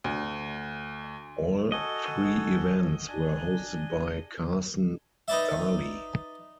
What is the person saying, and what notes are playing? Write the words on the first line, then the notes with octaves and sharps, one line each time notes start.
All three events were hosted by Carson Daly.
D2
F#4 A4 D#5 G#5
D4 G#5
D#4 B4 D5 E5